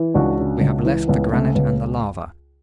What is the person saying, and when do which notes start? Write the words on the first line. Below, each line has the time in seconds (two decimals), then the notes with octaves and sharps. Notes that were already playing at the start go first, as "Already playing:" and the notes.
We have left the granite and the lava.
Already playing: E3
0.14 C#2 D4 F#4
0.39 C#3
0.61 C#2
0.85 E3
1.08 C#2 B3
1.32 C#3 A3
1.55 C#2 B3